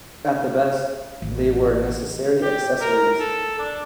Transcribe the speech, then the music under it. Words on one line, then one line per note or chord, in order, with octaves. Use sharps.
At the best, they were necessary accessories.
A1
G4
A#4
A4
D4